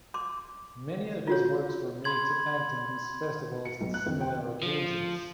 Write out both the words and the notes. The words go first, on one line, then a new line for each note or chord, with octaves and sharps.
Many of his works were made to act in these festivals and similar occasions.
C6 D6
F4 F#4 C#5
B5 C6 G#6 F#7
C#7
B1
F#6
F2
G5
F3